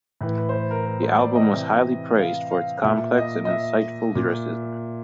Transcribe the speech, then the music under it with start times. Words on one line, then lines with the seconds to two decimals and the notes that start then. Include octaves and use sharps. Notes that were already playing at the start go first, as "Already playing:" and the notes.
The album was highly praised for its complex and insightful lyricism.
0.21 A2 E3 B4
0.38 B4
0.49 C5
0.53 B4
0.71 A#4
0.86 A#4
1.03 C5
1.19 D5
1.35 D#5
1.52 C3 E3
2.18 F5
2.51 F5
2.84 A#2 E5
3.18 D#5
3.45 D#5
3.50 E5
4.15 A#2